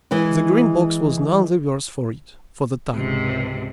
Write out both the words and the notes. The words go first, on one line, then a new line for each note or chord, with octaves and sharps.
The Green Box was none the worse for it, for the time.
E3 G#3 B4
C#2 G#2 C3